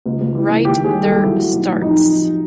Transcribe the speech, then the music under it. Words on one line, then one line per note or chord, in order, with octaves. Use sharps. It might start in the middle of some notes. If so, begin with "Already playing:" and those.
Wright their starts.
C#2
C#2
E3
C#2
D#2 G4
D#2 G#4
G3
D#2 A4
F#3 E4
F#3
B1
A2
F2 D#4
F2
F3